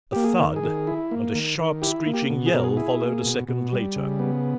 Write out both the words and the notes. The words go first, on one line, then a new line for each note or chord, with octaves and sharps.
A thud and a sharp screeching yell followed a second later.
A#3 G4
G#4
D#3
G#4
D#3
E4
A#3
D#3
D#3
E4 G4
A#3
G4
B2
G#4
B2 A#4
G#4
E4 G#4
A#3
B2
B2
G3
C#3
B3